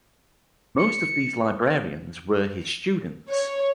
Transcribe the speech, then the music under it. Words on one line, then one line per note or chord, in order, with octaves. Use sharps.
Most of these librarians were his students.
C#7
C#5